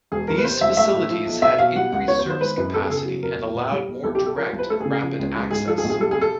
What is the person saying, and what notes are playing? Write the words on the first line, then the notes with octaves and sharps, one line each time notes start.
These facilities had increased service capacity and allowed more direct and rapid access.
E1 G#4
E2 A#4
B4
C3 C5
E1 E5
A3 E5
A2
F3
B1
C4 E5
B2 F5
G3 F#5
C#2 F#5
B3 C#5
C5
D#3
C5
G#3 B4
F#2 B4
B3 A4
G#4
C#3 A4
G#4
F#3
F2 A#4
B1
A#2
G3
B1
C2 A4
G4
C3
A4
F3 A#4
C2 C5
B4
A3 A4
G#4
C#3
G#4
F3
C#2
G#3 G#4
G#2 G#4
F3 A4
G#4
A#1
G#4
G3 A4
C3 G#4
A4